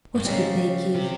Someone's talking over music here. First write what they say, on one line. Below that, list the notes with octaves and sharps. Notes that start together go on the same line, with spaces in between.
What could they give?
G2
G#2 C#3 G3 C4
C3